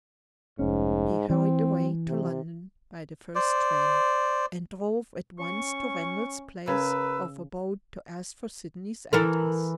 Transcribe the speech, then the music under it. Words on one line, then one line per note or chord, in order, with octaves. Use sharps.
He hurried away to London by the first train, and drove at once to Randal's place of abode to ask for Sydney's address.
F1 G#2 C#4
E3 C4
C3
C5 D5
C#4 C#6
C#3 A#4 B4 E6
E3 A4 A#4